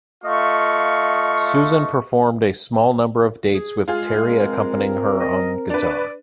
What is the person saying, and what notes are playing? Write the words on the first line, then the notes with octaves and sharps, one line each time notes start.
Susan performed a small number of dates with Terry accompanying her on guitar.
A3 F4 D#5 F5 C#6
G#4
G#3 F4 G#4
C4 A#4
D#5
D4 B4 D5